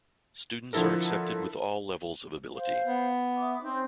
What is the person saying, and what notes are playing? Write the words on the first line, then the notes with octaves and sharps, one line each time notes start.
Students are accepted with all levels of ability.
D3 F3 E4 A4 A#4
C5 F5
B3
E5 D6 D#6
C4 C#4 D#4 C5